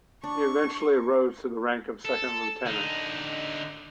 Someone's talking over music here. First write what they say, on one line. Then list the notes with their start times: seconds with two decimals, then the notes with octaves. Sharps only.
He eventually rose to the rank of second lieutenant.
0.24 D4 C#6
2.05 A4
2.65 D3 D#4